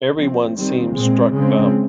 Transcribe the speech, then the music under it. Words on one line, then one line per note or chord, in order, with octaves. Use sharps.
Everyone seems struck dumb.
F3 C4
D#3 G3 C4
A#2 G#3 C4
C#3 G#3 C4